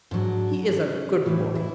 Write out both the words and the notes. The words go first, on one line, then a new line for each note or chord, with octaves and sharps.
He is a good boy.
G#2 F#3 D4
C#4
A2 E3
E4